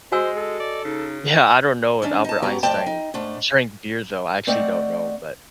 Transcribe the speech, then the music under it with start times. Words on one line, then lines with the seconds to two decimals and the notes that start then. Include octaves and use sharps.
Yeah, I don't know if Albert Einstein drank beers, though, I actually don't know, but
0.12 G#3 F#4 C5 D#5 G#5 E6
0.36 A4
0.60 D5
0.84 C#3 D#4
2.02 D#3 C#4 D4
2.24 D#4 A5
2.42 F#2 B3 G4 C#5 A#5
2.63 F2 A2 A3 D5 G5 A5
2.86 D#4
3.14 G#2 A3 D4
4.47 A3 C4 D5 D#5 F#5